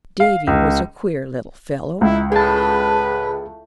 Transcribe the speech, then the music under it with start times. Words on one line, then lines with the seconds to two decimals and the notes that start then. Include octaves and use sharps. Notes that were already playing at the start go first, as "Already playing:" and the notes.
Davy was a queer little fellow.
0.20 F5
0.47 C#2
2.01 C#2 E4
2.32 A2 G#4 B4 A5